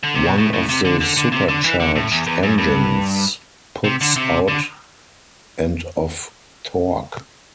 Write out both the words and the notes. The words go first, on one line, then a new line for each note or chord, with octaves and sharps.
One of the supercharged engines puts out and of torque.
D3
C3
B2
A2
A2
C3
D3
D3
D3
C3
D3
E3
D3
A2
E2
E2
F#2
G2
C3
D3
C3
D3